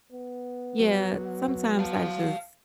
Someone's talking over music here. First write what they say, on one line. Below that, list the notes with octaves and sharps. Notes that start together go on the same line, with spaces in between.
Yeah, sometimes I just
B3
F#3
F5 A5